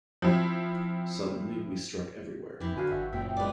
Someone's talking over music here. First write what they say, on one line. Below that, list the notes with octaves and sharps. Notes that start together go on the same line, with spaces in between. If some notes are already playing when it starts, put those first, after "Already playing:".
Suddenly we struck everywhere.
F3 C4 E4
F2 E3 E4 G4
D3 F#4 F5 G#5 B5
G1 E5
F#1 A#2 E5 G5
G2 G#3 B3 D5